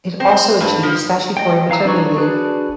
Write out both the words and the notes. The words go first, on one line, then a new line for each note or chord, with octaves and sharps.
It also achieved statutory maternity leave.
C4
G2
F3
D#5 G5
E3 F5 A#5 E6
D4 D#4 B4 C#5 C#6
D4 F#4 G#4 B4